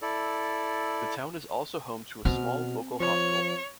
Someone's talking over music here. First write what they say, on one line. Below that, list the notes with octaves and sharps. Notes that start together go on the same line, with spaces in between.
The town is also home to a small, local hospital.
E4 A4 D5
B2 C4 F6
F3 C#5